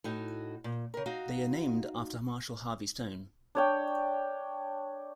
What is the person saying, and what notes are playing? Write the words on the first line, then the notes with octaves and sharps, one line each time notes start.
They are named after Marshall Harvey Stone.
A2 D#4 F#4
A#2
C#3 A#4
D#4 F#4 F5
D4 C#5 G5